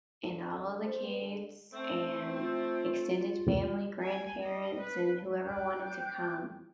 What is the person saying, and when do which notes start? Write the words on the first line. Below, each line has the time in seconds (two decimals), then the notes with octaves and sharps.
And all the kids and extended family, grandparents, and whoever wanted to come,
0.23 D3
0.53 D3
0.85 C5
1.03 B3
1.21 D3
1.73 A3 C4
2.37 F4
4.03 G#5
4.42 D#5
4.80 B4
5.44 G5 D6 F#6 G6